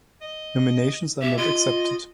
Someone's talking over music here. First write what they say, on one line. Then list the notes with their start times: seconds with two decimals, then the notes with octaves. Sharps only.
Nominations are not accepted.
0.21 D#5
1.22 G4 E5
1.38 F4 D#5